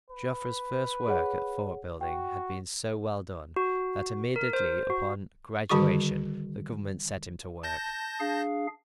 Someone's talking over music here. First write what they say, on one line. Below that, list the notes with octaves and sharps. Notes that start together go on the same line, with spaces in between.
Joffre's first work at fort building had been so well done that immediately upon graduation the government set him to work.
B4
G#4 C#5 F#5
F#4 G5
F#4
A#4
C5
F#4
D3 D#3 G3 F#4 G#4 C#6
A5 G6 A#6
D4 G#4 F5